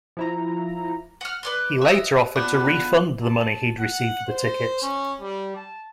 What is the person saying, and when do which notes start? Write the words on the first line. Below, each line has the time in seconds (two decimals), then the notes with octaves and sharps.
He later offered to refund the money he received for the tickets.
0.17 F3 E4 A#5
1.21 F#5 F6
1.43 B4 D5 C6
1.81 D#5 E5
2.36 B3 D4 F4
3.23 A5
3.80 F#5
4.28 C5
4.82 C#4
5.21 G3
5.56 A5